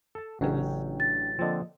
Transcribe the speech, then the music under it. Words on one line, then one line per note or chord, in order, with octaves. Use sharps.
It was
A4 A5
A1 C#3 F#3 C#4 D4 G5
A6
D3 F3 A#3 C4 D#5